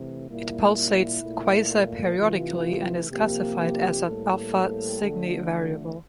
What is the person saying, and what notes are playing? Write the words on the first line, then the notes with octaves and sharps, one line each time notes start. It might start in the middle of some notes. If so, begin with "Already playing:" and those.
It pulsates quasi-periodically and is classified as an Alpha Cygni variable.
Already playing: C3 E3 A3
A#2 G3 A#3 E4
A#2 A3
C3 E3 A3 F4
C3 F3 A#3 G4
G4
A2 G3 A#3 A4
D3 F3 A3